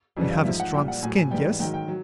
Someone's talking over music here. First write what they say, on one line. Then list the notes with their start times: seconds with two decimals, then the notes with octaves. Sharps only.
You have a strong skin--yes?
0.17 F2 C#3 E3 G3
0.31 F5
0.45 G#2 F3 E5
0.60 F#5
0.74 A#2 G3 G5
0.88 F#5
1.02 A2 F#3 G#5
1.17 G#5
1.31 G#2 E3 G3 G5
1.60 G#2 D#3 F#3 G5
1.74 G5
1.88 F#3